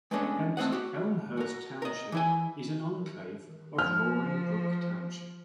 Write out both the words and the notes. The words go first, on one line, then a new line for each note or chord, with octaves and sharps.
Hence, Elmhurst Township is an enclave of Roaring Brook Township.
G#3 A3 B3 C#4 D4 D#5
A3 C4 D#5 F#5
F#4 G4
F#4 A#4
A#4 D#5
E3 E4 G#5
F3 F6